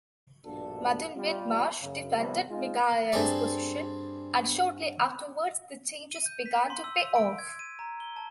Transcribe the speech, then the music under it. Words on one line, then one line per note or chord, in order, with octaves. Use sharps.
Martin Whitmarsh defended Michael's position, and shortly afterwards the changes began to pay off.
A#1 G2 B2 D4 A4
G3 F4
F#2 C#3
C3 D#3 F3 G3
G#3 D#4 F4
G2 C4 G#4 A4 D5
D#7
G6
B6
C6
E6
E6
D7
G#6
D#7
A#5
G7
A5